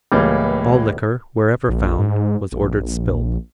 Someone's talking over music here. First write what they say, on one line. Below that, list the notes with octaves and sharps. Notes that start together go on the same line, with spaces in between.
All liquor, wherever found, was ordered spilled.
C#2 A2 E3 G3 A#3
A#1
G#2
A#1